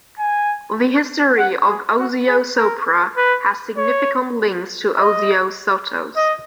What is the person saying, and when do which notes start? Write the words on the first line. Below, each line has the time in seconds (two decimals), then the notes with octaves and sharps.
The history of Osio Sopra has significant links to Osio Sotto's.
0.19 G#5
1.38 F#5
1.68 G#4
1.98 F#4
2.28 G#4
2.57 A#4
3.17 B4
3.77 C#5
4.96 D#5
6.16 D#5